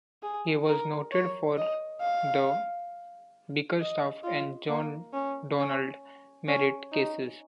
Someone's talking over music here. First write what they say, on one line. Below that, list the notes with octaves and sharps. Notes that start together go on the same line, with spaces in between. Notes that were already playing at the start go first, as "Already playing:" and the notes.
He was noted for the Bickerstaff and John Donald Merritt cases.
G#4
A#4
C#5
D#5
F5
D#5
F4
A#3
C#4
C#4
C#4
D#4